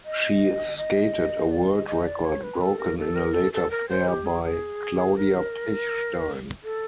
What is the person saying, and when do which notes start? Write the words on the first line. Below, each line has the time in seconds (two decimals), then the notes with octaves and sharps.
She skated a world record broken in a later pair by Claudia Pechstein.
0.05 D#5
0.78 D#5
1.52 D5
1.70 D#5
1.87 D#5
2.05 D5
2.24 C#5
2.43 B4
2.61 A4
2.80 A#4
2.98 A4
3.16 A#4
3.33 A4
3.53 A4
3.71 A#4
3.89 C5
4.08 G4
4.25 G#4
4.44 G#4
5.17 A#4
6.64 A4